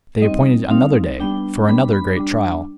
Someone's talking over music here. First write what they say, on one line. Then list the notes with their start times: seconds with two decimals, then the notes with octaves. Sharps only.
They appointed another day, for another great trial.
0.21 G3 C4 D#4 D#5
0.70 G3 C4 D#4 F5
1.20 G3 B3 D4 G5
1.68 G3 B3 D4 B5
1.93 B5
2.17 G3 D4